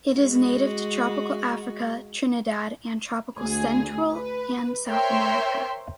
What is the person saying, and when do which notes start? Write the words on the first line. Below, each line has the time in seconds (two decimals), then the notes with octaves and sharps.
It is native to tropical Africa, Trinidad, and tropical Central and South America.
0.16 G#3 F#4
3.39 D2 G#4
4.14 B4
4.89 A#4 C5 C#5 E5 G5 C6